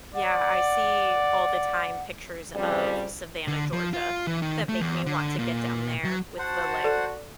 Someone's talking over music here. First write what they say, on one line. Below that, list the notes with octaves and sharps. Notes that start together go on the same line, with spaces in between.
Yeah, I see all the time pictures of Savannah, Georgia that make me want to get down there with the, like
D5 F#5
F2 C#3 F3 G3
D3
F3
F4
E3
D#3
A3
E2
D3
A#2
F#3
F#4 C5 F#5 A5
A4 D5